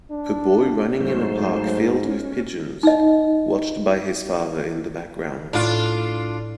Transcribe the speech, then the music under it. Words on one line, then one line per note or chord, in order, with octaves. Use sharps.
A boy running in a park filled with pigeons, watched by his father in the background.
D4
G#2 F#3 A3 C5
C#4
D#4 D#5
A2 D4 F4